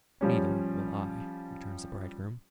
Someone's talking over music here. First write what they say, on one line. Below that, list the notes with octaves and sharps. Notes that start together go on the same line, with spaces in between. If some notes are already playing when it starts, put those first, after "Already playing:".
'Neither will I,' returns the bridegroom.
F3 G3 C#4